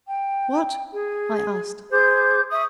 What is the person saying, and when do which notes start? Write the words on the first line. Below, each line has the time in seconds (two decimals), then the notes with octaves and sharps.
"What?" I asked.
0.06 G5
0.92 G#4
1.90 G#4 C5 D6 G6
2.49 E5 C#6 D#6